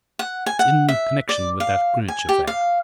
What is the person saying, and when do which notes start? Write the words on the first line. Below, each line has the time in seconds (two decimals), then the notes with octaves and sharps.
"It's in connection with that Greenwich affair."
0.19 F#5
0.46 G#5
0.59 F#5
0.88 E5
1.29 D5
1.60 F5
2.08 G#5
2.29 G4
2.47 F5